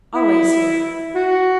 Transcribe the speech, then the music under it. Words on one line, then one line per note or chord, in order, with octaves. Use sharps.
"Always here!"
E4
F#4